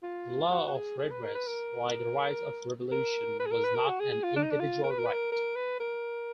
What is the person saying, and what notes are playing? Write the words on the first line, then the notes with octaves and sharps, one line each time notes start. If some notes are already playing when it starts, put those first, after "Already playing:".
The law of redress, like the right of revolution, was not an individual right.
F4
F#4
F#4
G#4
G#4
B4
A#4
B4
A#4
A#4
B4
G#4
A#4
B4
A#4
F#4
G#4
G#4
F4
D4
D#4
D4
F4
A#4
B4
A#4
B4
A#4
A#4
B4
A#4